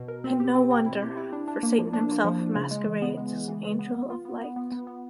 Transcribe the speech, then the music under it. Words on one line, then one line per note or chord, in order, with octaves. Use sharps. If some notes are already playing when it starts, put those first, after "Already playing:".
And no wonder, for Satan himself masquerades as an angel of light.
Already playing: B2
A#4
C4
G4
C4
C4
E4
G4
E4
D4
D4
A#3
F3
D4
A#3
F3
D4
C#3
G#3
E3
B3
G#3
E3
E3
G#3
B3
B3
F4
B3
B3
B3
B3
B3